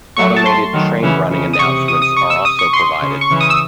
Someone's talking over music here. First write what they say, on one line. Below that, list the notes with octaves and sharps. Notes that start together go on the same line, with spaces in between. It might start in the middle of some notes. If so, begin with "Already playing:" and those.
Automated train running announcements are also provided.
F#3 A3 C#6
A5
C6
D#3 F#3
C#3 E3
C#3
D#6
C3 C#6
D#6
D#6
C#6
E6
D#6
C#6
C6
C#3
C#6
C#3 E3
D#6
E6